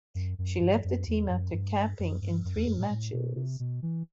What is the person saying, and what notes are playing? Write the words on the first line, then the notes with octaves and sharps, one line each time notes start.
She left the team after capping in three matches.
F#2
F#2
G2
F#2
E2
F#2
G2
F#2
G2
F#2
E2
F#2
A2
A2
B2
C3
B2
E3